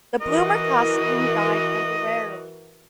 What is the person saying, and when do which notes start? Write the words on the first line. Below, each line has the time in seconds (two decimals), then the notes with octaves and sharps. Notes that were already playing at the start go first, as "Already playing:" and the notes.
The bloomer costume died - temporarily.
0.21 E3 F#4 A#4 D#5